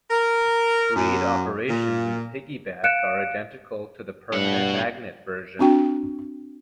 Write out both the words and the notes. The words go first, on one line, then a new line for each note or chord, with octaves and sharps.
Read operations in the piggyback are identical to the permanent magnet version.
A#4
F#2
A#2
F5 F#6 C#7 D7 E7
G2 B2 F#5
C4 D4 F#4 G5